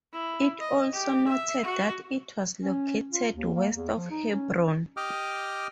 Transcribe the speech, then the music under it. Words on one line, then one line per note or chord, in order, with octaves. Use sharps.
It also noted that it was located west of Hebron.
E4
D#5
G4
E5
F#4
C#4
F4
D#2
A#3
E2
F3
D#4
C#4
G4 D#5 G5 D6 D#6 F6